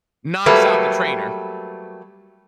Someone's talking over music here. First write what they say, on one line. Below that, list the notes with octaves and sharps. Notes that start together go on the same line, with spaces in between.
knocks out the trainer,
F#3 G3 A3 A#3 B4